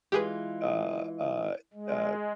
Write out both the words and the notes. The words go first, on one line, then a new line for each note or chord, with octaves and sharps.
uh, uh, uh
E3 G#3 F4 G4 G#4 B4
G#3